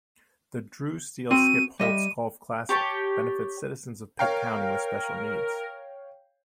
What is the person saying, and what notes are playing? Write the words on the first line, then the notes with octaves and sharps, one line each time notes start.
The "Drew Steele-Skip Holtz Golf Classic" benefits citizens of Pitt County with special needs.
C4 F#4 C6 D#7
G3 D#5 E5 D#7
G4 C#5 A5
A#4 C#5 F5 G5